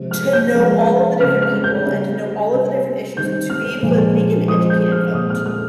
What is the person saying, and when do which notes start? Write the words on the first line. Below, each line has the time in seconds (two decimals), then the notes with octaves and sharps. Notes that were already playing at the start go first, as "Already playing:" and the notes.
to know all of the different people and to know all of the different issues to be able to make an educated vote.
Already playing: C3 F3 G#3 C4
0.11 F6
0.33 G6
0.54 F3 G#3 C#4
1.20 C#3 G#3 C4 F6
1.42 F6
1.64 G6
1.86 C#3 G3 C#4
2.51 C3 G3 C#4
3.17 D#3 G3 C4 G6
3.50 F6
3.83 A#2 F3 G#3
4.48 F3 G#3 C4 D#6
4.70 G6
4.92 F6
5.14 A#2 G#3 C4 D#6
5.30 F6
5.46 F6